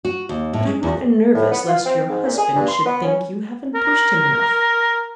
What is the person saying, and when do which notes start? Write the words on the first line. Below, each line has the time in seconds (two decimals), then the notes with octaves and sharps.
"But I'm rather nervous lest your husband should think you haven't pushed him enough."
0.05 F#4
0.29 D#2
0.53 A2
0.67 G#3
0.83 E2
1.35 A2
1.51 B3
1.68 F4
1.86 C4
2.09 G#2
2.25 A#2
2.38 G#4
2.56 G2
2.69 C6
2.86 B3
3.04 C#4
3.75 A#4